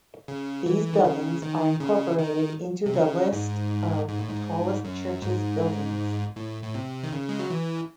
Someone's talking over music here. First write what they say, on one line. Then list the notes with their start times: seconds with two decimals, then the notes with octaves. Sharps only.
These buildings are incorporated into the list of tallest churches buildings.
0.28 C#3
0.66 E3
0.93 D#3
1.04 C#3
1.42 D#3
1.80 C#3
2.18 D#3
2.86 C3
2.94 C#3
3.33 G#2
4.08 G#2
4.19 A2
4.30 G#2
4.85 F#2
5.22 G#2
6.36 A2
6.63 A2
6.74 C3
7.03 D#3
7.12 C#3
7.29 G#3
7.39 F#3
7.50 E3